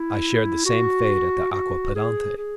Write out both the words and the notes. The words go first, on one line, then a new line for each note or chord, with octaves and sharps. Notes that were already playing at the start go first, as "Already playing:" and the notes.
"I shared the same fate at Aquapendente."
Already playing: E4
F#4
F#4
G#4
G#4